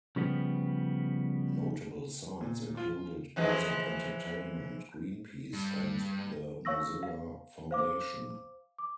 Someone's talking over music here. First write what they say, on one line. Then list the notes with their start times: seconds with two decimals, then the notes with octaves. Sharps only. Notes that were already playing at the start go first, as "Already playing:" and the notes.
Notable sites included Blizzard Entertainment, Greenpeace, and The Mozilla Foundation.
0.16 C#3 F3 G3 B3
2.41 A#2
2.77 F4
3.36 E3 F3 G#3
5.53 G2
6.65 C#5 F5 C#6 E6 A#6
7.03 F5
7.71 C5 F5 D6
8.78 D6